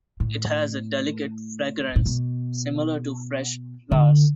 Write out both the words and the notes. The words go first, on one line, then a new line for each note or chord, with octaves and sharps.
It has a delicate fragrance similar to fresh flowers.
A2
A2
B2
D3